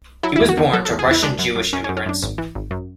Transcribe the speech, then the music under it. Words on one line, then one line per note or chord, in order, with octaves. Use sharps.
He was born to Russian Jewish immigrants.
F#3 E4
E4
E2
F#4
E2
F#3 A4
A4
E2
G#4
E2 E4
G#3 D4
F#2
F#2
F#2 C#4
C#4
F#2
C#4
F#2 D4
G#1
E3
G#1
F#2